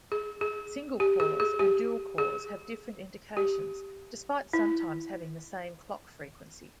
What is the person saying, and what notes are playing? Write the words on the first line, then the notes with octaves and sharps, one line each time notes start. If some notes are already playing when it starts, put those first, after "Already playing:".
Single-cores and dual-cores have different indications, despite sometimes having the same clock frequency.
G#4
G#4
G4
G#4
G#4
G4
G#4
G4
E4